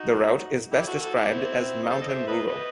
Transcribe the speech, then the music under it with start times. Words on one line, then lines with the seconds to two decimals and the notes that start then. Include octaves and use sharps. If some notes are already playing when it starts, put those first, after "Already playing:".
The route is best described as mountain-rural.
Already playing: D#4 F#4
0.72 E4 G4
0.87 F#4 A4
1.01 F#4 A4
1.16 E4 G4
1.30 C4 E4
1.83 D#5
1.89 A4 C5
2.01 D#5
2.08 C5 E5
2.27 B4 D#5
2.47 B4 D#5